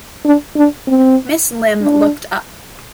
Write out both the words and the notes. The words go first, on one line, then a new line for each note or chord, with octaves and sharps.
Miss Limb looked up.
D4
D4
C4
D4